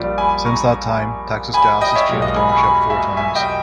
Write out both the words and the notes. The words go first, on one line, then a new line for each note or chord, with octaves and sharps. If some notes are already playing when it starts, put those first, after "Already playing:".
Since that time, Texas Gas has changed ownership four times.
Already playing: A#1 A#2 G3
G#5 B5
A#5 C#6
G#5 B5
D#5 G5
C#5 E5
B1 A#2 G#3
D#5
G#5 B5
G#5 B5
C#6
G#5 B5
E5 G#5
E5 G#5
D#5 G5